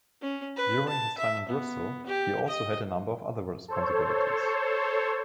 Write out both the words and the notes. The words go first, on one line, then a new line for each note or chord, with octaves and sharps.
During his time in Bristol, he also had a number of other responsibilities.
C#4
B4
A5
E5
B3
G4
D#5
A4 C5 C#5